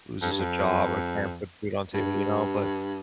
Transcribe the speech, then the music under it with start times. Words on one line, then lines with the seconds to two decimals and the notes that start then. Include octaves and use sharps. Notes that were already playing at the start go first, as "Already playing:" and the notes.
loses a job or can't put food on table, you know, but
0.22 F2
0.31 G2
0.40 F2
1.94 G2